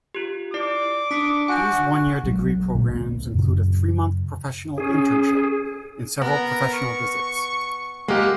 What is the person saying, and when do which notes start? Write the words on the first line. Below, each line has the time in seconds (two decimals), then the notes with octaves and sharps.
These one-year degree programs include a three-month professional internship and several professional visits.
0.15 F4 G4
0.54 E4 D5 D6 C7
1.11 D4 D#6 B6 C#7
1.48 F#4 G#5 G6
2.24 A#1 F#3 G#3
2.73 D2 A#2 A#3 B3
3.34 F#2 C#3
4.78 C#4 G#4
6.21 B3 A#4
6.73 C#6
8.08 G#3 A#3 G4 F#5